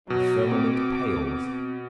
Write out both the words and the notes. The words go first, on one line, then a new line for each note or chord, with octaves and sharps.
The firmament pales.
B2 F#3
C4 D6